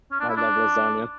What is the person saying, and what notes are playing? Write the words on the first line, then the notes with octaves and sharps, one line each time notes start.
I love lasagna,
C#4
D4
E4
D4